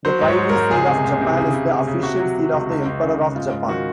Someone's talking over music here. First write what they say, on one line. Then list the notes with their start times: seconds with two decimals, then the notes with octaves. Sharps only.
The Privy Seal of Japan is the official seal of the Emperor of Japan.
0.05 F#3 C5
0.21 G#2
0.28 C#5
0.38 F#3
0.50 A#4
0.55 G#2
0.71 C#2 G#4
0.87 C3
1.04 C#2
1.21 C3
1.37 C#3
1.54 C#3
1.71 C#3
1.87 C#3
2.03 C3 F#4
2.20 F#3
2.36 F#3
2.52 C#2
2.70 C#2
2.86 C#2
3.02 C#3
3.18 C#3
3.35 G#2 F4
3.51 G#2
3.69 D#3 F#4